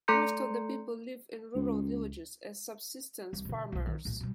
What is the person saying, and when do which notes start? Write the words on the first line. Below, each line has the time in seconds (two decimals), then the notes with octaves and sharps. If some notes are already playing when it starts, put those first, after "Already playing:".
Most of the people live in rural villages as subsistence farmers.
0.08 A3 A4 A#5 C6 G6 C#7
1.55 C#2
3.33 C2
3.45 B2 D3
3.72 B1 C3
3.87 D#3
4.05 B1 A2
4.21 B2 G3